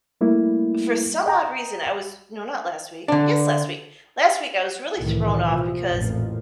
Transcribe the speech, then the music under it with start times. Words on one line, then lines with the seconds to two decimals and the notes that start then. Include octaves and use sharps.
for some odd reason, I was no, not last week yes, last week. Last week, I was really thrown off, because
0.21 G3 A3 A#3 E4
1.26 D#5 G5 A#5
3.08 D3 D4
4.99 C2 A2 D#3 E3
5.42 B2 F3
5.88 A1 F2 A#2 F3